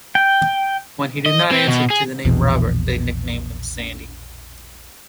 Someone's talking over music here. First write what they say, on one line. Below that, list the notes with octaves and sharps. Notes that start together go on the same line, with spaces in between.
When he did not answer to the name Robert, they nicknamed him Sandy.
G5
D#5
C4
B2
G#4
A#1 E2 B2